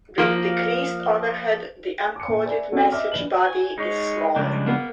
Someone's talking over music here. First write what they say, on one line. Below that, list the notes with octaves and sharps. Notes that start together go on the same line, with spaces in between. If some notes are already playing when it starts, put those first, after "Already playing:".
With decreased overhead, the encoded message body is smaller.
F3 A#3
D6 C#7
A#2
B4 D5 E5 G#5
C4 C#4 F#4 A4
D#5 E5 D6 F6
A#1 D4 B4 F#7
G#5
G#3 D#4 C#5
C#2 F3 G3 D4
A#3 B3